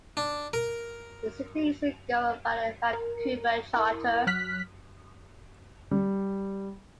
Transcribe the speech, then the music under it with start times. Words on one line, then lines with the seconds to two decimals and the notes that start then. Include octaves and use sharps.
The city is governed by the Vancouver Charter.
0.17 D4
0.53 A#4
2.93 A#4
3.74 E4 A#4
4.27 F#3 F6 F#6 B6
5.91 G3